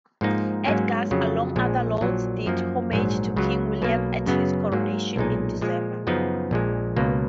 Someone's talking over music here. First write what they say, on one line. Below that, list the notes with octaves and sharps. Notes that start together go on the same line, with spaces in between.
Edgar, alongside other lords, did homage to King William at his coronation in December.
G#2 F3 A#3 D#4
G#2 F#3 A#3 C#4
F2 C#3 F#3
A#1 A#2 G#3
A#1 A#2 F#3
F#2 F3 A#3
A#1 G#2 F#3
C#2 C#3 F#3
B1 B2 A#3
F#2 C#3 F#3 B3
G#2 F#3 A#3
B1 A#2 G#3 D#4
A#2 F3 G#3
F#2 C#3 F3 B3 D#4
A#1 A#2 G#3
C#2 B2 A#3